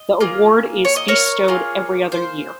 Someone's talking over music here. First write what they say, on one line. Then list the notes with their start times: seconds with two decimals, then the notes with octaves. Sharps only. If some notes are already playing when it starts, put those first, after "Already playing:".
The Award is bestowed every other year.
Already playing: D#5
0.20 A#3 F4 G#4
0.85 C#5
0.96 D#5
1.08 A#4 C#5
1.48 A#3 F4 G#4
2.12 C5